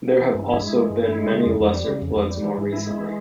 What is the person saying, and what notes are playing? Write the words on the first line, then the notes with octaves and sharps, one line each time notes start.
There have also been many lesser floods more recently.
E3
G2
E4
G#3
E3
G2
E4
G#3
C#3
F2
F2
G3
C#3
F2
F2
G3
E3
G#2
E4
G#3
E3